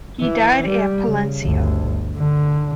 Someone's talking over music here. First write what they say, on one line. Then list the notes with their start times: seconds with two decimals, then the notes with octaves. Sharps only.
He died at Palencia.
0.21 E3
0.68 G3
1.07 C#3
1.43 G1 D2
2.16 D3